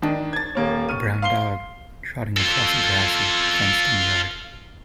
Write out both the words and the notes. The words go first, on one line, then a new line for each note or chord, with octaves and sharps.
A brown dog trotting across a grassy, fencedin yard.
D#3 D4
G#6 A6
D#1 A#3 C#5
C#6 F6 D#7
F5 C6 C7 G7
F4 A4